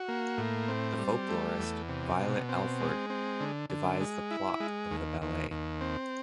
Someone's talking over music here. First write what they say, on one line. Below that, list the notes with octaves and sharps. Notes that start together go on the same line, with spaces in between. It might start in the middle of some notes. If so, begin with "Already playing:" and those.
The folklorist Violet Alford devised the plot of the ballet.
Already playing: F#4
A#3
A2
C4
G3
A3
E2
C3
B2
C4
G#3
C4
D3
D3
G#3
E4
G#3
D#2
D#2
D#2
C4